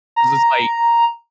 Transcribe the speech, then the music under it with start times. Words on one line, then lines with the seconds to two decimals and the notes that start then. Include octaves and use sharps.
'cause it's like
0.16 A#5